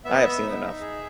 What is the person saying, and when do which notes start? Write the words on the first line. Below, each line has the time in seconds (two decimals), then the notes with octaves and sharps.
I have seen enough.
0.05 B3 E5
0.14 D#5
0.24 E5
0.43 D#4
0.81 G#4